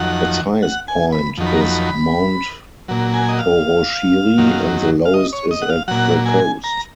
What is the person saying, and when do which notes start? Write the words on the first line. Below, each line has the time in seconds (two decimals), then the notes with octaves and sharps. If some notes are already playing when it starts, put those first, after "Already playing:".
Its highest point is Mount Poroshiri, and the lowest is at the coast.
Already playing: F2 D#3 F#3 F#5
0.63 F#5
0.88 G#5
1.12 B5
1.38 F2 D#3 F#3
1.46 B5
1.53 A#5
1.60 B5
2.88 A#2 F#3
3.13 G#5
3.29 D#5
3.39 F5
4.38 F#2 D#3 F#3
5.05 F5
5.14 D#5
5.33 C#5
5.51 D#5
5.62 F#5
5.70 F5
5.88 A#2 F#3 F#5
6.25 G#5
6.64 A#5